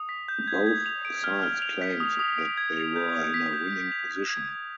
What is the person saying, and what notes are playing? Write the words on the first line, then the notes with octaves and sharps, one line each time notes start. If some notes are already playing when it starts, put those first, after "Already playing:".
Both sides claimed that they were in a winning position.
Already playing: D#6
B6
G6
G#6
G#6
F7
D7
F6
F6
F7
B6
D#6
D#6
D7
G#6
F7
G6
D7
B6
G6
G6
F7
B6
G#6
G#6